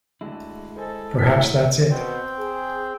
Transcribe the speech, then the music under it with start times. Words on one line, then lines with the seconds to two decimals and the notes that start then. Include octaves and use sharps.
Perhaps that's it.
0.21 D2 D3 G#3 E4
0.77 A4 C5 D#5 G#5
1.19 A2 F#3 F6 B6
1.91 B2 C4 G5
2.39 G#4